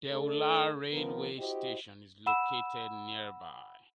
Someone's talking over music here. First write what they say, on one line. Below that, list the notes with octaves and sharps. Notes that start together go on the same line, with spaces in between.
Deula railway station is located nearby.
A3 D4 A4
D#3 F3 B3 A#4
E4 F#4 G4 C5 D#5
F#5 B5 E6 E7